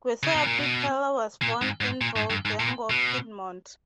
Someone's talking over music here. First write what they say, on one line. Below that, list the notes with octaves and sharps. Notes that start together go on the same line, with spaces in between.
Giuseppe Pella was born in Valdengo, Piedmont.
C#3
B2
A#2
B2
A#2
G#2
G#2
A#2
G#2
G2
G#2
A#2
B2